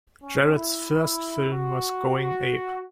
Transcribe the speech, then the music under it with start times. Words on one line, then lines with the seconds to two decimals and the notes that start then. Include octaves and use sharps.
Jarret's first film was Going Ape!
0.22 C#4
0.54 E4
1.52 F#4
2.16 F#4